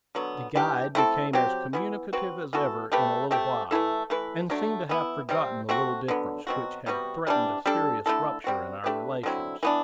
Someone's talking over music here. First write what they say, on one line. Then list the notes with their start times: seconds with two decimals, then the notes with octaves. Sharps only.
The guide became as communicative as ever in a little while, and seemed to have forgotten the little difference which had threatened a serious rupture in our relations.
0.15 D3 F#3 B3
0.55 E3 G3 D4 G4
0.95 A3 C4 E4 A4
1.33 F#3 C4 G4
1.73 E3 B3 E4
2.13 F#3 C4 F#4 B4
2.53 E3 B3 F#4 A4
2.92 A3 C4 G4 B4
3.31 A3 C4 G4
3.71 E3 A3 E4 A4
4.10 E3 A3 E4 B4
4.50 D3 F#3 A3 D4
4.89 E3 B3 E4
5.29 C3 G3 C4
5.69 A3 C4 F#4
6.08 D3 F#3 B3
6.47 B2 F#3 C4 F#4
6.86 C3 G3 B3 F#4
7.27 C3 E3 G3 D4
7.66 G3 D4 A4
8.06 D3 A3 E4 A4
8.44 G3 C4 F#4
8.84 A3 D4 G4 B4
9.23 D3 F#3 C4 E4
9.63 E3 B3 D4